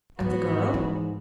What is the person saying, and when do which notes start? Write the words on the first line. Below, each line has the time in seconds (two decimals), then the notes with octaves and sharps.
"And the girl?"
0.20 G#2 B3 F#4
0.74 G#2 E3